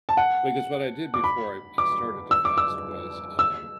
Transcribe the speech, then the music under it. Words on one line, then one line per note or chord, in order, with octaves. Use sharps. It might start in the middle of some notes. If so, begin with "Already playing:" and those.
because what I did before I I started to fast was, um,
A5
F#5
D6
B5
D6
E6
D6
E6
E6